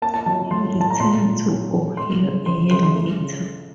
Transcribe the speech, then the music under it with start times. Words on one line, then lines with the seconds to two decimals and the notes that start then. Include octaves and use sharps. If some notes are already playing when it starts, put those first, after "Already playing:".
He returned to Ohio a year later.
0.02 A#3 A5
0.14 A5
0.26 F#3 A5
0.51 F#3 C6
0.75 A2
0.81 A5
0.90 A#5
1.00 A#2 C6
1.25 A#2
1.49 F#3
1.73 F#3
1.97 A3 C6
2.22 C#3
2.46 C#3 C6
2.71 C#3 C6
2.83 C6
2.96 A3
3.20 C#3